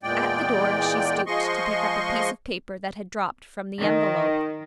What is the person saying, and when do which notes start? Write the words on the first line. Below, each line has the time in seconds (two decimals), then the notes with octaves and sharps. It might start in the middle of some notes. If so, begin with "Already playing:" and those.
At the door she stooped to pick up a piece of paper that had dropped from the envelope.
0.03 E2 A#2 G#3 D5 G5
1.27 F3 G#3 D#5 C6 C#6
3.81 D#3